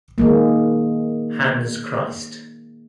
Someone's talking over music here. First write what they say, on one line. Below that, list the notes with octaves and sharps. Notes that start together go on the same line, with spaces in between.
Hans Christ.
D#3 G#3 A#3